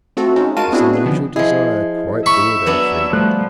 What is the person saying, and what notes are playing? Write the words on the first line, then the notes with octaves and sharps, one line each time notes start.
This unusual desire quite awed Elfrida.
A3 C4 F4 F#4 A4
G#3 C#4 D#4 F#4
G#3 F#4 A#4 F5 A5 D#7
B3 C4 D4 E4 F#4 G#4
G#4 B4
D3 D#3 F3 B3
F3 E4 G#4 D#5
E5 B5 C#6
F#3 B3 D4
F3 G3 A3 F#6